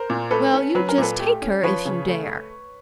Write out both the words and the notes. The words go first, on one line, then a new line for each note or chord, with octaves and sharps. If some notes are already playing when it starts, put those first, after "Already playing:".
"Well, you just take her, if you dare."
Already playing: A#4 C5
A#2
A3 A4 B4
C#4
F#3 B4
A#4
A#2 A4 B4
A3 G4
C#4
F3 B4 C#5
C#3
A3